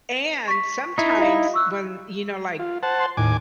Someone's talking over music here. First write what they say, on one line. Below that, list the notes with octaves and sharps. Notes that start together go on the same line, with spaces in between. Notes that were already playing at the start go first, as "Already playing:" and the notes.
and sometimes when, you know, like,
C#6 B6
D#4 E4
F4 D#5 F5
C#6 E6 F#6
F4
C5 F#5 A5
C6
D#2 A2 G#5 D6